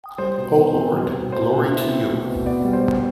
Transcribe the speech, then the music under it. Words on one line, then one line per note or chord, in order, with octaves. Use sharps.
O Lord, glory to You.
G3 C5
B2
B2
C4
G3
B2
A3 C5
B2
E4
C4
A3
B2
B3 D5
G3
C5
G3